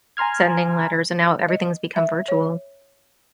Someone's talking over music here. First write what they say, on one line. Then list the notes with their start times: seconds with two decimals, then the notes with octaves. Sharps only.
sending letters, and now everything's become virtual.
0.17 G#5 A#5 C6 F6 G#6
1.49 D#5
1.96 E5
2.28 C#5